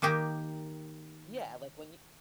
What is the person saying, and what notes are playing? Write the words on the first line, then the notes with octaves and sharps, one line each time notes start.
yeah, like when you
D#3 A#3 D#4 G4